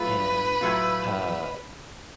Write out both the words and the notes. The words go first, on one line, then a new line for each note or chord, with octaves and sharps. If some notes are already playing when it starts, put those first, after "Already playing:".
and, uh
Already playing: F#3 A3 F4 G#4 B4
A2 F#3 A3 F4